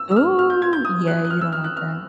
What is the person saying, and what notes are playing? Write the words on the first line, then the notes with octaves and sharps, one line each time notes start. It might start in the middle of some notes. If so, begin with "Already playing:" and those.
Ooh, yeah, you don't want that.
Already playing: E6
E6
F6
F6
G6
G#6
G6
D#6
F#6
F#6
F6
E6
F6
F#6
F6